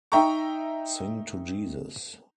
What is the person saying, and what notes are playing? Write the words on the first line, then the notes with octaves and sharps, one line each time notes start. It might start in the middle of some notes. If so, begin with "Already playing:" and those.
Sing to Jesus!
D#4 E5 G5 A#5 C#6